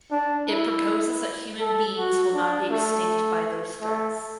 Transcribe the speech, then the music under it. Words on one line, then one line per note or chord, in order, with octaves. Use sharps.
It proposes that human beings will not be extinct by those threats.
D4
E4
A4
F#4
D4
A3
A3